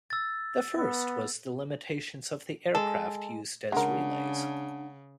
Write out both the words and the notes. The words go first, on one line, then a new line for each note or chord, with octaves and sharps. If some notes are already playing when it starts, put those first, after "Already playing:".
The first was the limitations of the aircraft used as relays.
E6 A6
B3
G#3 A4
C#3 G#3 D4 A#4 F#5